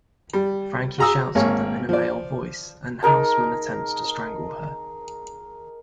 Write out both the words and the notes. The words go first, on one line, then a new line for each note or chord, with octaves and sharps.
Frankie shouts at them in a male voice, and Houseman attempts to strangle her.
G3
F#4 G#4 A#5 D#6 E6
G#1 A#3 C#5
F3 D5
D#4 G#4 A#4 A5